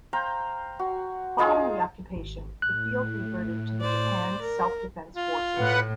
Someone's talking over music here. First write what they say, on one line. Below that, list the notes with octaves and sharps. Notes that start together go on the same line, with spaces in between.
Following the occupation, the field reverted to the Japan Self-Defense Forces.
C5 F5 G5 A#5
F#4
G#3 D#4 F4 G#4
G#1
A2 F#6
C5 D5
A#4
F4
A2 B4 F#5